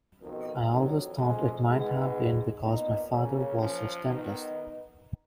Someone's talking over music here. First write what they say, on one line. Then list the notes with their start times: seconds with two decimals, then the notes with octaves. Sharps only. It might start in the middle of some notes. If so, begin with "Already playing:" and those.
I always thought it might have been because my father was his dentist.
0.21 F2 B2 D#3
0.69 F2 D#3 F#3
1.17 F2 F3 G#3
1.65 G#2 G#3 B3
2.61 A#2 B3 D#4
3.09 C#3 A#3 C#4
3.57 F3
4.05 D#3 B3 D#4